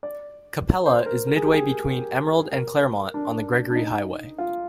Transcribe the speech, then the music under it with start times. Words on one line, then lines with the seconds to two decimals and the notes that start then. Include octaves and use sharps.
Capella is midway between Emerald and Clermont on the Gregory Highway.
0.03 D5
0.86 C5
1.06 A#4
1.27 A#4
1.36 G#4
1.45 G4
1.53 G#4
2.52 A#4
3.14 D4
3.70 D4
3.76 D#4
4.38 F4